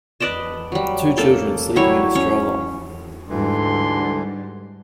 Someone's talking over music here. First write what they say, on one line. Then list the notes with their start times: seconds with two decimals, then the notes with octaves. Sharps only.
Two children sleeping in a stroller.
0.20 B4 D5 D#5 A5
0.72 F#3 G3
1.18 A#3 A4
1.76 F#3 G3 E4 C#5
2.15 C#4 C#5
3.29 D2 G#2 D3 E3 G3 C6